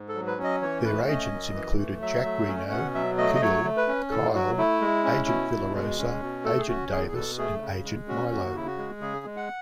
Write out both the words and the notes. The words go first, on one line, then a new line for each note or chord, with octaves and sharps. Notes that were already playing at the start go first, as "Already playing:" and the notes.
Their agents included Jack Reno, Keel, Kyle, Agent Villarosa, Agent Davis and Agent Milo.
Already playing: G#2
A4
F#3
B4
C#4
D#5
E3 C#5
A3 B4
C#4 D#5
F#2
E3
A3
F#3 E5
A3
C#4
B2 F#5
F#3 E5
A3 D#5
D#5
F#3 C#5
A3
B4
C#4
A2 A4
F#3 F#4
A3 E4
G#3
C#4
B2
B2
G#3
C#4
B2
A3 A4
G#4
C#4 F#4
E2 G#4
G#4
B2 A4
A3 G#4
C#3
G#3
C#4 F#4
D#2 F#4
C#3 E4
F#4
G#3
C#3 G#4
G#3
F#5